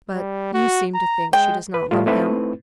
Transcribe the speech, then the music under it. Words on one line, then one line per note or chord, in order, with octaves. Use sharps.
"But you seem to think she does not love him!"
G3
F#4
A#5
G#3 G5
B4
A2 G3 A3 F4
A3 C4 D#4 E4 B4